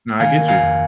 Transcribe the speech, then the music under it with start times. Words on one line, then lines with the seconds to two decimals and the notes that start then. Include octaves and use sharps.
Nah, I get you.
0.20 D#3 F5 G#5
0.39 A#3
0.48 F5 G#5
0.58 F2